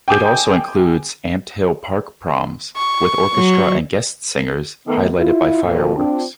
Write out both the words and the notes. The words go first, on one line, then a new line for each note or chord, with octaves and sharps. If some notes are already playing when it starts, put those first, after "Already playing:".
It also includes "Ampthill Park Proms", with orchestra and guest singers, highlighted by fireworks.
G5 G#5 D6 D#6 G6
C#6
F#3
D#3 A3 B3
E4 F4
F2 A#2 A4
C4 D4 F4